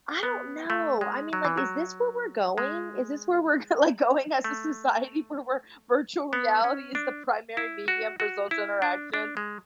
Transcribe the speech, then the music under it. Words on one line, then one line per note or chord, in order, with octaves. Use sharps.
I don't know. I mean, like, is this where we're going? Is this where we're g like, going as a society where we're virtual reality is the primary medium for social interaction?
B3
A3
G#3
F#3
E3
F#3
G#3
A3
B3
C#4
D4
E4
F#4
F#4
E4
D4
D4
G#3